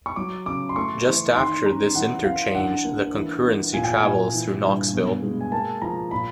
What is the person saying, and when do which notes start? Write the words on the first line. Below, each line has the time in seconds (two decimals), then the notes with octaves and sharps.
Just after this interchange, the concurrency travels through Knoxville.
0.06 C#6
0.16 F#3 D6
0.46 C#3 D6
0.69 C6
0.76 A3 C#6
1.06 E3
1.35 D#3 C6
1.65 C#4 A#5
1.95 E3 F#5
2.24 E3 F5
2.55 D3 F#5
2.84 A#3
3.14 E3
3.44 E3
3.73 A#2 G#5
3.84 G5
3.94 G#5
4.03 A#2
4.33 E3
4.63 G2
4.93 B2
5.23 G#3
5.41 G#5
5.51 A#3 A5
5.82 F3 A#5
6.11 A#2 B5